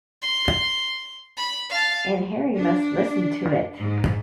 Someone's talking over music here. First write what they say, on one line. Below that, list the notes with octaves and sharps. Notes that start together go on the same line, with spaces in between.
And Harry must listen to it.
C6
B5
F5 A5
D4
G#2